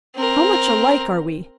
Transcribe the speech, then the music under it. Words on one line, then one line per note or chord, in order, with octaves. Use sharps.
How much alike are we?
C4 A#4